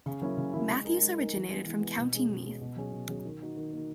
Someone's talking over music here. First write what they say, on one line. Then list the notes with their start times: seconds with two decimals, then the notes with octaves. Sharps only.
Matthews originated from County Meath.
0.06 C#3
0.21 F#3 A#3 C#4 E4
0.37 C#3
0.54 F#3 A#3 C#4 E4
0.69 G#3
0.85 D#4 A#4
1.01 G#3
1.17 D#4 A#4
1.33 E3
1.49 G#3 B3
1.65 E3
1.81 G#3 B3
1.97 B2
2.13 G#3 C#4 G#4
2.29 B2
2.45 G#3 C#4 G#4
2.61 B2
2.76 F#3 C#4 G#4
2.92 B2
3.09 F#3 C#4 G#4
3.25 D#3
3.40 A#3 D#4 F#4
3.57 D#3
3.73 A#3 D#4 F#4